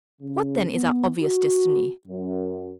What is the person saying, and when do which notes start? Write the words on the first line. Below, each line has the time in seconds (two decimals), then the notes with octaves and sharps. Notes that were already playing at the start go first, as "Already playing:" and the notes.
What then is our obvious destiny?
0.21 C#3
0.71 B3
1.21 F#4
2.08 F#2